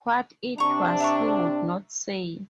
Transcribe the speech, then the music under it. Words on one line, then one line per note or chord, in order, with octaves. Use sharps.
What it was he would not say.
C3 C4 D4 A#5 C#6
E5 A#5 C#6